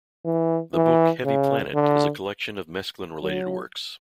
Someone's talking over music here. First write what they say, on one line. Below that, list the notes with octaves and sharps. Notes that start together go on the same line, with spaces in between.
The book "Heavy Planet" is a collection of Mesklin-related works.
E3
E3
C#3
D3
F#3